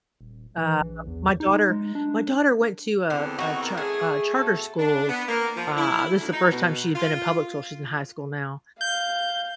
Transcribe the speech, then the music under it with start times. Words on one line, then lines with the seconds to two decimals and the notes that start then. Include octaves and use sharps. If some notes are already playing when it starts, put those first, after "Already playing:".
Um, my daughter my daughter went to a a char uh, charter schools. Uh, this is the first time she had been in public school- she's in high school now.
0.21 D#1
0.58 E3
0.80 A#1
1.07 E2
1.40 D#4
1.70 G#3
1.95 D4
3.10 E2 D3 C4
3.38 D#4 F#4
3.63 A#4
3.77 A3 G#4
4.33 B2 A4
4.78 D4
5.09 B3
5.28 A#3
5.56 F3
5.77 E4
6.20 D2
6.33 D#4
6.52 B2
6.95 F4
8.81 F5 G6